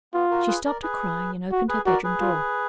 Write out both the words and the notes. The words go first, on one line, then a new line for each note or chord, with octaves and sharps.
She stopped her crying, and opened her bedroom door.
B3 F4
F#4 A#4
G#4 B4
A#4 D5
G#4 B4
F#4
G#4 B4
F#4 A#4 D5
G#4 B4
F4